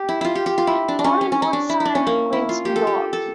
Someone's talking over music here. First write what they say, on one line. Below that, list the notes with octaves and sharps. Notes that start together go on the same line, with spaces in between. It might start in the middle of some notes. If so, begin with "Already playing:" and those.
Born in Woodside, Queens, New York.
Already playing: G4
E4
E4 F4
G4
G4
F4
E4
D4
D4
C#4
C#4
C#4
C#4
D4
E4
E4
D4
C#4
A#3
E4
F4
G4
A4
G4
A4